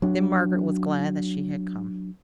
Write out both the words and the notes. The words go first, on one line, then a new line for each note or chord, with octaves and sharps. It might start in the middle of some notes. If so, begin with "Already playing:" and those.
Then Margaret was glad that she had come.
F#3 D4